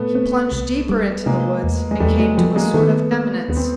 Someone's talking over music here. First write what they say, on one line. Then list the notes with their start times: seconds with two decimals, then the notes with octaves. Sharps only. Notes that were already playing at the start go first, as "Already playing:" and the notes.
He plunged deeper into the woods and came to a sort of eminence.
Already playing: A#2 A3 B3
0.15 C4
0.52 C2
0.89 G3
1.26 C3 G#3 A#3
1.64 E2
1.91 G#3
2.00 E2 G3 A3
2.19 F#3 G#3
2.37 F3 G3 A3
2.56 G#3 A#3
2.74 D#3 A3 B3
3.12 A#3
3.49 D#2 B3
3.57 C4